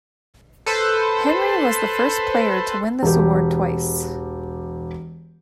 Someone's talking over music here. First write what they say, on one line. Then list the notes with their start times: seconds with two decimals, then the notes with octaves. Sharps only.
Henry was the first player to win this award twice.
0.66 A4 B4 C5
3.03 E1 G4